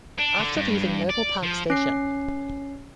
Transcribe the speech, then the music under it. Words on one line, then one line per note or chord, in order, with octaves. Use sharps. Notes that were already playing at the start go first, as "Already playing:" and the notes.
After leaving Noble Park Station.
D4
D3
G2
D5
F3
C#4 C7